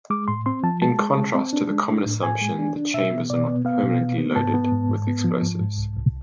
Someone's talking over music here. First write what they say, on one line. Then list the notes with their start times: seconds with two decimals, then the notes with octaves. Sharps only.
In contrast to the common assumption the chambers are not permanently loaded with explosives.
0.10 G#3 D6
0.28 A2 C6
0.46 C4 C6
0.63 F3 A5
0.82 G#3 A5
0.99 G#3
1.17 G#3
1.34 C4
1.53 D4
1.70 G#3
1.88 D4
2.05 A2
2.23 A2 G#5
2.41 G#3
2.59 D4
2.77 D4
2.94 B2 E5
3.11 B3
3.30 B2 D5
3.48 B3
3.65 B3 F5
3.83 B2
4.01 B3
4.18 B3
4.36 G#2 A5
4.54 B3
4.72 G#2
4.89 G#2
5.07 B3
5.24 F3
5.43 G#2
5.60 G#2
5.78 C2
5.96 C2